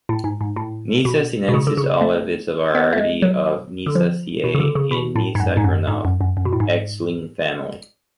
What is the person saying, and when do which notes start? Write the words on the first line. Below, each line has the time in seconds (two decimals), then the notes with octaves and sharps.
Nyssa sinensis Oliv is a variety of Nyssaceae in Nyssa Gronov. ex Linn family.
0.09 A2
0.24 G#2
0.41 G#2
0.56 A2
1.05 B2
1.49 B2
1.54 C#3
1.67 D3
1.77 C#3
2.01 A3
2.75 B3
2.93 A3
2.98 G#3
3.22 F#3
3.86 D3
3.95 F3
4.44 B2
4.55 C#3
4.60 D3
4.75 C#3
4.91 B2
5.16 A2
5.35 G#2
5.40 F#2
5.57 G#2
5.64 F#2
5.88 G#2
6.05 F#2
6.21 F#2
6.37 F#2
6.45 B2
6.53 A2
6.60 G#2